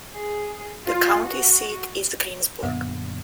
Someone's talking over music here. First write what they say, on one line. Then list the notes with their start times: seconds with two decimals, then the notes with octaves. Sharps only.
The county seat is Greensburg.
0.13 G#4
0.86 F4
1.25 F#4
2.63 F#2 A#2 D3 B3 E5